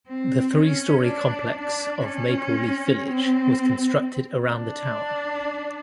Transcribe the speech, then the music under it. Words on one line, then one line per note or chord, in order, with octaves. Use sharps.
The three-story complex of Maple Leaf Village was constructed around the tower.
C4
C#4
D4
D4
C#4
C4
D4